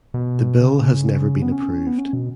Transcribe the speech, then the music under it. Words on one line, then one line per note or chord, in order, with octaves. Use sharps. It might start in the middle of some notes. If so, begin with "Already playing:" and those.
The bill has never been approved.
B2
C#3
B3
C#4
B3
C#4
B2